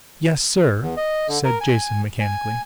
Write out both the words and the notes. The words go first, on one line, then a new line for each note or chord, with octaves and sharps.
"Yes, sir," said Jason mechanically.
E2
D#5
D3
A#4
G#5
G#5